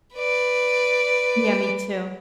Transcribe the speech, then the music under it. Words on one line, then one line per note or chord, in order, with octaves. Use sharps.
Yeah, me too.
B4 D5